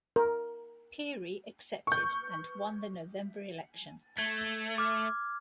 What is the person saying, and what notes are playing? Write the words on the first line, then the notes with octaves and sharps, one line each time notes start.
Peery accepted, and won the November election.
A#4
C#6 G6
A3 G#6
D6 F6